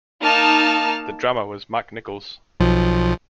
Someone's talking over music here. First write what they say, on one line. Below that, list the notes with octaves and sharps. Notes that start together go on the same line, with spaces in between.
The drummer was Mike Nicholls.
A#3 D#4 A5 F6
B1 F3